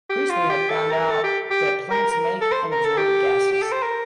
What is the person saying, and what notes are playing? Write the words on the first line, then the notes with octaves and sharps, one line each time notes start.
Priestley had found out that plants make and absorb gases.
G4
F4
G4
A4
A#4
A4
G4
G4
A#4
A#4
A4
C5
A#4
A4
G4
G4
A4
C5
A#4